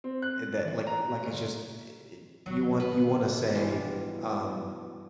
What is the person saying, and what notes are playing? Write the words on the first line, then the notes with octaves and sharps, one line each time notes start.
eh, that like like it's just, eh, it you want you wanna say, um,
C4
F#6
E3
A#5
F#1
G#1 F#3
B2 B4
E3 G3 D4 F4